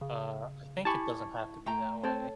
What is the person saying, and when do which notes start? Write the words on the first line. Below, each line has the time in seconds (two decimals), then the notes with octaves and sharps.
Uh, I think it doesn't have to be that way.
0.01 C#3
0.85 E4 G4 G#5 A5 B5 C#6
1.66 A3 G5 A#5
2.03 C4 A4 C#5 G5 A5